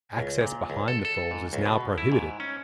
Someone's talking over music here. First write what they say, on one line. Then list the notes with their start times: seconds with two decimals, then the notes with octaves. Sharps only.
Access behind the falls is now prohibited.
0.17 C#2
0.41 A#2
0.70 C#2
0.88 A4
1.05 A4
1.31 G#2
1.53 C#2
1.66 B2
1.98 E4
2.12 G#2
2.40 C#4